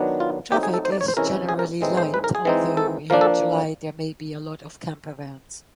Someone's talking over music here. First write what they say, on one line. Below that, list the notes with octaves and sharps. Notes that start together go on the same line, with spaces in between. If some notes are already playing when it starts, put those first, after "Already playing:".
Traffic is generally light, although in July there may be a lot of campervans.
Already playing: D#3 F#3 B3 D4
F4
F#3 A3 C4 D#4 G4
G#4
A4
C5
D5
C#5
C5
C3 E3 G#3 C#4 E4 A#4
G#4
A#4
A2 E3 G#3 C4 D#4
C5
B4
A#4
G#4
E3 G#3 C4 D#4
A4
F3 A#3 D4 A#4
A4